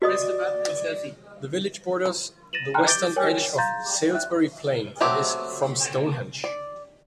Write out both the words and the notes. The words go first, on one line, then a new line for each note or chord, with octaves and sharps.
The village borders the western edge of Salisbury Plain, and is from Stonehenge.
F#4 D5 D#5 D#6
A6 A#6 D#7 E7 F#7
G5 G#5 A#5 C6 F6 F#6
D6 G6 A6 D7 G7
A#4 C#5 G5 G#5
F5 A#5 C6 G6 A6
E5 F#6
F#3 A3 C4 G4
D5